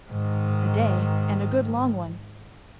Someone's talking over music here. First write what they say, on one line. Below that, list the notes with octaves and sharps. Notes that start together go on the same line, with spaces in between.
"A day, and a good long one."
G#2 D#3